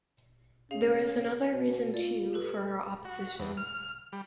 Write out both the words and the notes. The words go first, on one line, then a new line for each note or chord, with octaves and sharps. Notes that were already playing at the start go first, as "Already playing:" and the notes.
There was another reason too for her opposition.
C#4 G#4 F5
B2
F4 D5
G4 A4 B4
F#4
E2
F6
G3